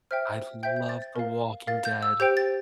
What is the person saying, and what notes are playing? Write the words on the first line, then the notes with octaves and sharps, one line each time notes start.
I love The Walking Dead.
C5 E5 G5 F6
C5 E5 G5 G6
G6
A6
A6
A#4 F5
A#4 F5 A6
G6
E6
G4 C5 G5 G6
A6